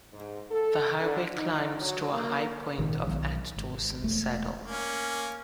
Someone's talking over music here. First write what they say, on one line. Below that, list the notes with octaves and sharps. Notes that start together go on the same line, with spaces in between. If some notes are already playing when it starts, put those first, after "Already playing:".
The highway climbs to a high point of at Dawson Saddle.
G#2
A4
D3
D#4
F#3
A#3
G#1 A#2 D#3
B1 D#3 F#3
G#1
E1 A3
A#3 C#4